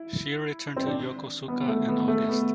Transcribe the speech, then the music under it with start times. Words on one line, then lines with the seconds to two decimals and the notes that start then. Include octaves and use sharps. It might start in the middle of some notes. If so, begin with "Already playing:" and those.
She returned to Yokosuka in August.
Already playing: E4
0.77 C4
0.87 D4
1.48 B3
1.68 A3
1.88 B3
2.08 A3
2.29 B3